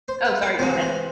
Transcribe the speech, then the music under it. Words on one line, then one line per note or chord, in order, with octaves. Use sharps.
Oh, sorry, go ahead.
C5
B4
A#4
C3 E3 G#3 C5
C5